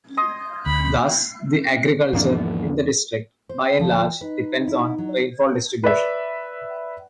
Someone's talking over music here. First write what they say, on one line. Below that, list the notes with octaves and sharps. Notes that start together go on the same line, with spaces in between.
Thus, the Agriculture in the district by and large depends on rainfall distribution.
D#5 C6 D#6
D2 B5
E2 G#2 D#3 F3 A#3 D4
C5
D2 F3 A4
D#4 B4
E4
F#3
B4 D5 E5